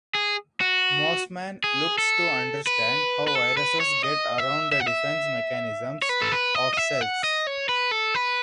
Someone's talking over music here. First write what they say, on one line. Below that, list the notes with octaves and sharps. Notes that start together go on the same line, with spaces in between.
Mossman looks to understand how viruses get around the defence mechanisms of cells.
G#4
F#4
G#4
A4
B4
B4
A4
B4
C#5
D#5
E5
E5
F#5
E5
C#5
B4
A4
B4
D#5
D#5
E5
F#5
D#5
C#5
B4
A4
B4